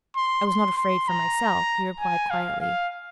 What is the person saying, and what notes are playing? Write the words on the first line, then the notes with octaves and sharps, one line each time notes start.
"I was not afraid for myself," he replied quietly.
C6
C6
C6
A#5
G#5
F5
F5